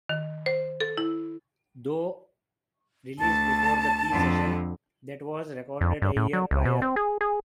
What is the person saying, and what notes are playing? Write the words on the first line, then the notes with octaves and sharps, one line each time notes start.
Though released before "The Peel Session", that was recorded a year prior.
D#3
C5
A4
E4
D2 A5
F2 D3
F2
G2
A2
F#3
C#2
B2
C4
G#4
G#4